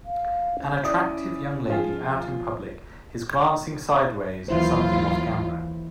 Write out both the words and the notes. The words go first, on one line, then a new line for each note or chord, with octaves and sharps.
An attractive young lady out in public is glancing sideways at something offcamera.
F5
C#4
E4 D5 D#6
F3 F4 G#4
D#2 E3 F#3 E4 F4 C5